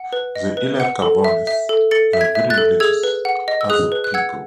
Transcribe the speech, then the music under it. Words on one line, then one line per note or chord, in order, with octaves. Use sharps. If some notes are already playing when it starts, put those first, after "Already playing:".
The Ilercavones were very religious as a people.
Already playing: F#5
B4
D#5
B4
F#5
A4
E5
E5
A4
A4 A6 C#7
E5
G#6 B6
E5
F#6 A6
A4
G#4 E6 G#6
B4
F#5
D#5
E6
G#4 D#6 F#6
B4
F#6
F#5 E6 G#6